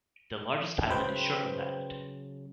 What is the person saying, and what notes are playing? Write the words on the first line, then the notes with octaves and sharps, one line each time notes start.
The largest island is Shortland Island.
C#3 F#3 B4 C5 G5